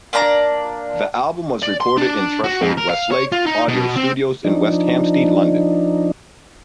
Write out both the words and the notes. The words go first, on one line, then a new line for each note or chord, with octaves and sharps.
The album was recorded in Threshold Westlake Audio Studios in West Hampstead, London.
A#3 D4 D5 A#5
D5
C6
D4
F#4
F2
A#4
F5
C#5
F4
D#4
B2
C4
F3 D4 D#4